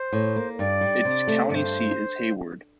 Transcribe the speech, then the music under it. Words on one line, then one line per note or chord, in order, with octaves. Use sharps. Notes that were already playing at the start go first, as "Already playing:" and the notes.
Its county seat is Hayward.
Already playing: C5
A2
A#3
G2 D5
G3
C3
A3
G2 C5 D5